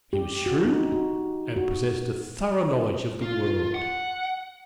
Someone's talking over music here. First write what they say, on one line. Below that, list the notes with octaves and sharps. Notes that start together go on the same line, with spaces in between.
He was shrewd, and possessed a thorough knowledge of the world.
G4
F#4
D#4
F#4
F#4
F4
F#5